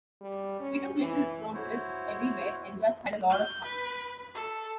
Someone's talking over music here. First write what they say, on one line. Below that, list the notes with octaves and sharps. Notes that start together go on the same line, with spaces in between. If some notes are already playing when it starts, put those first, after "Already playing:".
We took little road trips everywhere and just had a lot of fun.
G3
C#4
E3
E4 F#4 C5 C#5
G6
B4
A4